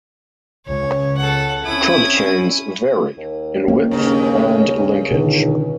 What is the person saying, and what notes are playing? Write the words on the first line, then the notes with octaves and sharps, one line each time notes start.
Curb chains vary in width and linkage.
C#2 C#3 C#5
A4 F#5
C4 C#4 E4 D#6
D#2
A#3 C#4
G2 C#3
C#2 B2 D3 D#3